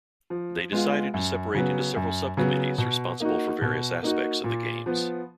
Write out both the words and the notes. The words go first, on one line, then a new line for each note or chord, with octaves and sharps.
They decided to separate into several sub-committees responsible for various aspects of the Games.
F3
G#3 B3 F4
F#2
C#3 F#3 B3
F#2
C#3 F#3 B3
B2
A#3 D#4 F#4
B2
A#3 D#4 F#4
A#2
F3 B3